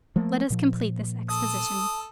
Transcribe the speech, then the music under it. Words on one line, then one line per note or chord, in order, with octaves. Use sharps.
Let us complete this exposition.
F3 A3 A#3
A#2 F3
A4 D#6